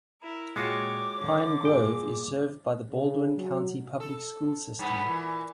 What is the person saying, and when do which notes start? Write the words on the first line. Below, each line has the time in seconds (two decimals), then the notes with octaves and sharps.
Pine Grove is served by the Baldwin County Public Schools system.
0.21 E4 A#4
0.56 A#2 G#3 F4 F#4 C#5 G5 D6 C#7
1.18 D3 C#5
1.65 G2 A#2 F4 G#4 G5
2.91 C#3
3.37 F#3
4.00 A4
4.79 G2 B3
5.04 A#2 E3